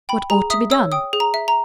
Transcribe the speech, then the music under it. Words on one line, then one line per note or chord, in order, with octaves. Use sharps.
What ought to be done?
G5 B5
G#4 A#5
E5 D#6
C#5 E6
G5 D#6
G#4
A#5
E5
A#5